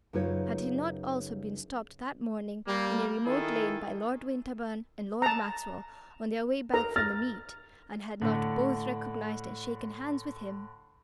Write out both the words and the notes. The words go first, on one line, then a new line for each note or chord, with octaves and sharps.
Had he not also been stopped that morning in a remote lane by Lord Winterbourne and Lord Maxwell on their way back from the meet, and had not both recognised and shaken hands with him?
F#2 C#3 D#4 F4 B4 C#5
G3 A#3
D#3 E4 G#4 A4
A5 A#5
A#4 A#5
F6 A6 A#6
A2 D3